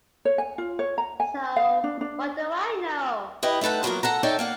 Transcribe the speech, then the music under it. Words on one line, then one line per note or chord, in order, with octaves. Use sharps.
So what do I know?
C#5
G#5
F4
C#5
A#5
G#5
F5
D4
D4
E4 G4 B4 D#5
A3 D#4 A4 B4 F#5
F3 F#3 A#3 B3 A#4
A4 F#5 A#5
D#4 A4 C#5 D5 E5 G5
A#3 F5 F#5